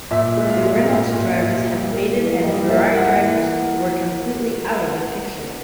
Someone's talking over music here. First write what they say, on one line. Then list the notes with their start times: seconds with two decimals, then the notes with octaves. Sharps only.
The Renault drivers had faded and Ferrari drivers were completely out of the picture.
0.11 A#2 E5
0.37 G#3
0.50 F5
0.63 G#3
0.88 A#2 E5
1.14 A#2
1.40 A#2
1.66 G3
1.92 A#3
2.18 E3
2.44 G3 D#5
2.69 A#3 E5
2.95 A#3 F#5
3.20 E3